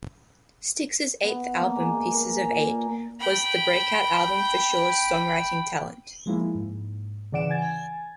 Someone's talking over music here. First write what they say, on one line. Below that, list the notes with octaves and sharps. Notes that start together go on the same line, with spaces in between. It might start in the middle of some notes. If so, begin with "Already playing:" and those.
Styx's eighth album, "Pieces of Eight", was the breakout album for Shaw's songwriting talent.
B3
A#3
G#3
G#5
A#4
A#2
G5 B5
F3 G#3 A#3 E4
G#2
C#3 E3 D5 F#5 D7 E7
G#5 G#6 A6